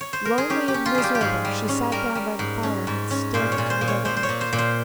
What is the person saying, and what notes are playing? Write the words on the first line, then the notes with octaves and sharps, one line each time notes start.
Lonely and miserable she sat down by the fire and stared into the red embers.
C#5
C5
A#4
G#4
C#4 G4
G4
C#4
F4
G3 G#4
G4
G4
G#2 G#4
G3
C#4
G3 A#4
G3
G#2
C#4
G#2
C#4
A#2 C5
C#5
A#2
C5
A#2
C#5
A#2 C5
C5
C#5
A#2
C5
A#2
C5